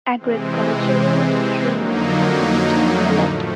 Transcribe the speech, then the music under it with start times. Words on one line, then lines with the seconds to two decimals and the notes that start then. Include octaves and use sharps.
Agricultural, trees, wheat, millet.
0.17 C3 E3 G#3 C4
1.68 F2 D3 F#3 A#3 D#4
3.20 A2 F3 A3